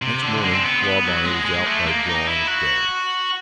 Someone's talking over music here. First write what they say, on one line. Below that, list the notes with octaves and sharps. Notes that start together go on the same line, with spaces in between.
Next morning Clawbonny was out by dawn of day.
C3
D3
G#3
C4
B3
B3
F#3
G#3
G#3
A3
A#3
D#4
E4
F#4